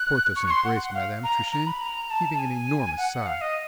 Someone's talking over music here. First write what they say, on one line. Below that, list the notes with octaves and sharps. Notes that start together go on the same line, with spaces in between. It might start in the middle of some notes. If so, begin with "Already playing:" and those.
Porthos embraced Madame Truchen, heaving an enormous sigh.
Already playing: F#6
C#6
C#6
C6
F#5
F5
A#5
A#5
B5
A#5
A5
A5
G#5
F#5
F5
D#5